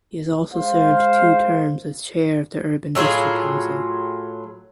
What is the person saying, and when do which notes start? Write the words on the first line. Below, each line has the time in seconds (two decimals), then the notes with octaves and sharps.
He also served two terms as chair of the Urban District Council.
0.53 G#3 C5 F5
2.95 A2 F#3 F4 G#4